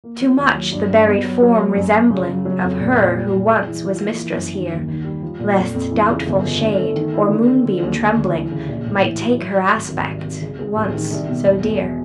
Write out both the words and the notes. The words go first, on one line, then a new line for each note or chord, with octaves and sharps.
Too much the buried form resembling, Of her who once was mistress here; Lest doubtful shade, or moonbeam trembling, Might take her aspect, once so dear.
A#3
F3
D#2
F#3
G2
G2
B3
F#3
F#3
A#3
F#2
F#2
C#3
C#3
F#3
F2
A#2
A#2
G3
A#2
G#3
E3
F3
A#3
E3
F#2
D#3
D#2
D#3
G3
F3
A#2
F2
F2
E3
C#3
G1
F3
D3
A3
D#3
E4
D3
C4
D3
D#2
D3
D2
E3
C#3
A#1
A2
E3
F#4
F#3
F#3
G#1
G#1
C2
C2
C#2
G#3
A1
D#3
C2
B2
E1
E1